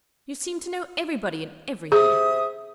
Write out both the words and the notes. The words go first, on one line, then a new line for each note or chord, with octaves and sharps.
You seem to know everybody, and everything.
C3 G#4 E5 D#6